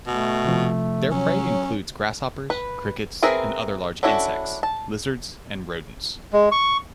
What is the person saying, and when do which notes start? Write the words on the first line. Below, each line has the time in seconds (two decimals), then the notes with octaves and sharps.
Their prey includes grasshoppers, crickets and other large insects, lizards and rodents.
0.07 B2 A3
0.45 C3 F3
1.12 F#3 C#4
2.50 B4
3.23 C4 G#4 A#4 B4 E5
4.03 C#4 D4 E4 F#4 A4
4.63 A5
6.33 G#3
6.52 C#6